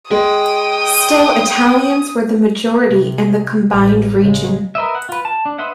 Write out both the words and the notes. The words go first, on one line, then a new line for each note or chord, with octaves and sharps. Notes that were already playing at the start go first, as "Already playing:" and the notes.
Still Italians were the majority in the combined region.
G#3 G5 D#6
C3
A1
C#3 G#3
A#4 B4 D#5 E5
F#5
F4 B4
A5
D4
B4 C5 D#5 E5 F#5